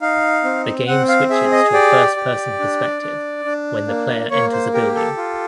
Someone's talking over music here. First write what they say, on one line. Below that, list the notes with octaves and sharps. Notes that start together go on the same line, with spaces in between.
The game switches to a first-person perspective when the player enters a building.
D#4 F5
C4
C4 F#5
F5
G#4 E5
D#5
G4 D5
G4
D4
D4
D4
A#3
A#3 C#5
C5
G4 A#4
A4
F4